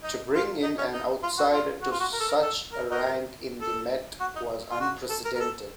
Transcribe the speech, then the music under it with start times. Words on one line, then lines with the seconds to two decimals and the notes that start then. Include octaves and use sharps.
To bring in an outsider to such a rank in the Met was unprecedented.
0.03 D#4
0.34 F4
0.63 D#4
0.78 C#4
0.93 D#4
1.23 F4
1.38 F#4
1.53 F4
1.82 F#4
1.91 F4
2.00 F#4
2.13 A#4
2.20 A4
2.28 A#4
2.42 A4
2.72 A#4
2.91 D#4 F#4 A#4
3.61 A4
4.20 F#4
4.36 D#4
4.70 F4
4.80 F#4
5.10 A4
5.25 A#4
5.35 A#4
5.40 A4